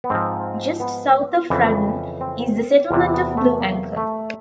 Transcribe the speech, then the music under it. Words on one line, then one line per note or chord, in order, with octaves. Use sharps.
Just south of Fraddon is the settlement of Blue Anchor.
B3
G#2 F3 C4
B3
F2 C#3 E3
C4
E2 C3 E3
B3
A3
A#3
A3